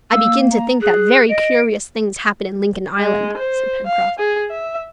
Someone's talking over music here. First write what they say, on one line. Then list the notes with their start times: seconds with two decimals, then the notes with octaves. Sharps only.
"I begin to think that very curious things happen in Lincoln Island!" said Pencroft.
0.11 A#3 E6
0.50 A#5
0.81 G#4 F#6
1.28 D#5 D7
3.00 G#3
3.37 C5
3.86 F5
4.18 G#4
4.50 E5